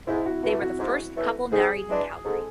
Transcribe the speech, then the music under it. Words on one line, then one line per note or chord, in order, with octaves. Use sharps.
They were the first couple married in Calgary.
G#2 E4
F#4
E3 A3 F#4
F#4
G#2
E3 A3
G#2 G#4
E3 G#3 B3 D4
G#2 A4